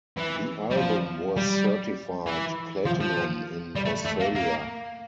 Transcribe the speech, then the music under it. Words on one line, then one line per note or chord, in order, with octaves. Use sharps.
The album was certified platinum in Australia.
E3
G3
F3
G3
E3
F3
F3
G3
A3
A3
A#3
A#3